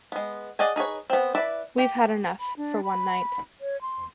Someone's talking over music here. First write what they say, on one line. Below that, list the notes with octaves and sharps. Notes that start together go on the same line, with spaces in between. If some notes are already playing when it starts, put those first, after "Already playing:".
We’ve had enough for one night.
G#3 B3
G#4 D5 D#5 F#5 G#5
D#4 G#4 B4 C#5
B3 C4
E4 B4 D5 E5
G4
B5
D4
B5
C#5
C6